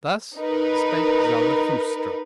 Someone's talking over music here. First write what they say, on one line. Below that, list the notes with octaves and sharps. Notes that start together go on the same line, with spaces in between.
Thus spake Zarathustra.
D#4 A#4 B4